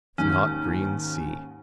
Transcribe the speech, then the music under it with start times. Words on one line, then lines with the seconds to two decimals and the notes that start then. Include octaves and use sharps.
The snotgreen sea.
0.18 D#2 G#2 C#4